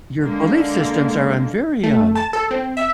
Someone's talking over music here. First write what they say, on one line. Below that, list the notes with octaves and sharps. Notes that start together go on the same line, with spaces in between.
your belief systems are on very, um
D3 G#3 A#3
A3
A5
A4
C4
E5